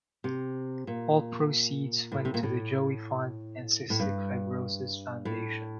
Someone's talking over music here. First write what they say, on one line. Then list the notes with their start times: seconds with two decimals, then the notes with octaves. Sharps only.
All proceeds went to the Joey Fund and Cystic Fibrosis Foundation.
0.24 C3
0.87 A#2
2.12 A2
2.25 C3
2.34 A#2
2.43 A2
3.90 A2
3.99 G2
5.25 A2